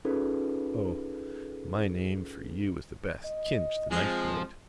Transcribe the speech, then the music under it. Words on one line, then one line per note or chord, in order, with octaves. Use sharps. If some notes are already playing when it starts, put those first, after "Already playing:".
O, my name for you is the best: Kinch, the knife-blade.
C#4 D#4 F4 G#4 A4 B4
D#5
F3 G#3 C4